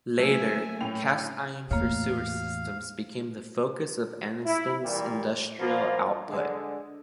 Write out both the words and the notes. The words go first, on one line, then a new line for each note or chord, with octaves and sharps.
Later, cast iron for sewer systems became the focus of Anniston's industrial output.
F#3 A3 A#3 E5 G#5
A2 C#4 G5 F7
E2 A2 A#3 C#5 F5
E4
A#2 E3 G3
F3 A#3 B3 F4
D3 G#3